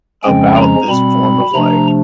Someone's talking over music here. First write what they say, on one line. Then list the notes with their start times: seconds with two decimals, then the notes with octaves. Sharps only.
about this form of, like
0.24 F2 C#3 F3 G#3 C#4 G5
0.56 A#5
0.88 B2 G3 C4 B5
1.53 C3 F3 A3 D4 A#5